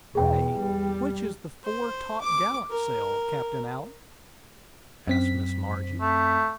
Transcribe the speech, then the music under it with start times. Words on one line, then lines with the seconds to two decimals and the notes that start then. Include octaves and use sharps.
"Pray, which is the fore top-gallant sail, Captain Alick?" asked Miss Margie.
0.15 E2 B2 G#4 G5
0.56 G3
1.65 C5
2.20 D6
2.70 A#4
5.07 F#2 C4 B6
6.01 A3